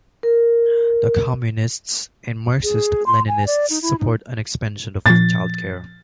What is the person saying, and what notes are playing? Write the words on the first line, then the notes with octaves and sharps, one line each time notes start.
The Communists and Marxist-Leninists support an expansion of child care.
A#4
G#4
C6
G#5
D5
D#4
E4
D#4
A#2 F3 A6